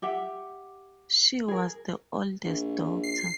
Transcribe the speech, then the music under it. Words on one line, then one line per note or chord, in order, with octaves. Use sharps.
She was the oldest daughter.
G4 E5 F#5
G#4 A#4
A#1
C7